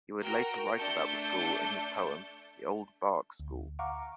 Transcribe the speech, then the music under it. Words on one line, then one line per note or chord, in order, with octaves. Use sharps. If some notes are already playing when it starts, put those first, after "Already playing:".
He would later write about the school in his poem, "The Old Bark School".
F#4 A#4 G5
A3 D4 A5 G6 C#7
D2
F5 F#5 A#5 C#6 D6